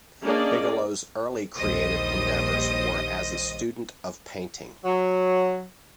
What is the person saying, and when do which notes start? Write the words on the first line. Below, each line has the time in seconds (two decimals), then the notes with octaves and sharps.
Bigelow's early creative endeavors were as a student of painting.
0.24 A#3 C#4 D4 G#4 D5 D#5
1.57 A#1 D#2 G3 C5 D#5 D#6
4.84 F#3